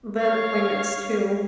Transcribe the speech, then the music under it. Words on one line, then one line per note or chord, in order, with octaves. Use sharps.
vet appointments to
C#5 F5